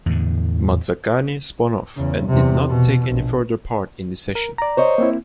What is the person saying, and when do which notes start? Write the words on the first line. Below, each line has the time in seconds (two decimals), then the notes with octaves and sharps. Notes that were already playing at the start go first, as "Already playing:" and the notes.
Mazzacane spun off and did not take any further part in the session.
0.06 E2 A2 D3
1.96 E2 C#3
2.27 E2 C3
2.68 B2
3.09 A#1
4.35 A#4
4.58 D5 A#5
4.77 C5 C#5 D#5
4.98 A#3 C4 E4